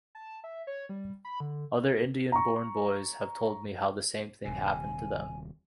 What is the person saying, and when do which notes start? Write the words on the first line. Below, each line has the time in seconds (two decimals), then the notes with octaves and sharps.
Other Indian-born boys have told me how the same thing happened to them.
0.15 A5
0.44 E5
0.67 C#5
0.89 G3
1.25 B5
1.40 D3
2.32 A#5 C#6
4.45 D#1 C3 G#5